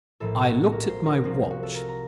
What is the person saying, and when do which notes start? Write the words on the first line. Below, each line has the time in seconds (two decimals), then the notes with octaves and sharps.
I looked at my watch.
0.20 A#1 A2 F3 A#3 A4
0.41 F#4
0.46 A4
0.72 A#4
0.89 C5
1.06 A#4
1.24 C2 C3 F3
1.50 F#4
1.63 A4
1.75 A#4
1.88 A#5